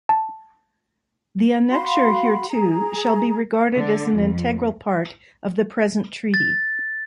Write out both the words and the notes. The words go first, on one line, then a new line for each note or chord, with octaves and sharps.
The Annexure hereto shall be regarded as an integral part of the present Treaty.
A5
F#4 F5 B5 C6
G#4 A#5
D3
F2
A6